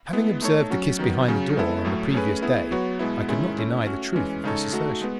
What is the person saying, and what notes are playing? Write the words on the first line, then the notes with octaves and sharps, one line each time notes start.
Having observed the kiss behind the door on the previous day, I could not deny the truth of this assertion.
G#3 B3 E4
A3 D#4 A4 C#5
F#3 C#4 F#4
D#3 F#3 B3
C#3 F#3 C#4
G#3 B3 E4 A4
A2 F#3 A3
A3 C#4 G#4 B4
B3 E4 G#4
F#3 B3 F#4 C#5
B2 G#3 B3 E4
D#3 G#3 C#4 E4
A3 C#4 E4
A3 C#4 F#4
E3 G#3 C#4
C#3 G#3 D#4 A4 C#5
A3 D#4 F#4 A4
G#3 B3